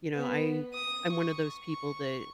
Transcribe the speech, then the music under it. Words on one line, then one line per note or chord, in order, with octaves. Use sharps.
you know, I I'm one of those people that
B3
D#6
C#6
C#6